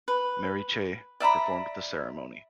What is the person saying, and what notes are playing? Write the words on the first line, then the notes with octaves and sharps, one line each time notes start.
Mary Cheh performed the ceremony.
B4
D5 E5 A#5 B5